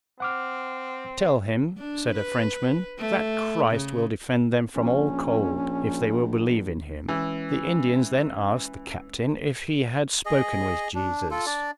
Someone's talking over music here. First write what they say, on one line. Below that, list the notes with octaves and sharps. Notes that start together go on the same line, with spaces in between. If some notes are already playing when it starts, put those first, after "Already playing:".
"Tell him," said a Frenchman, "that Christ will defend them from all cold, if they will believe in him." The Indians then asked the captain if he had spoken with Jesus.
C4 F#5 D6 F6
D4
B4
A3
C#3
A#1 C#4
E3 G#3 C#4
G#4 D#5
D4
F4 A4
D4 D5